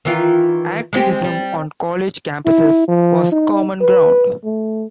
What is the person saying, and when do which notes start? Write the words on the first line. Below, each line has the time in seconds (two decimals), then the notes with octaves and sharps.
Activism on college campuses was common ground.
0.05 D#3 E3 F4
0.93 G#3 C4 G4
1.24 G3
2.46 E4
2.88 F3
3.32 D#4
3.81 B4
4.45 A3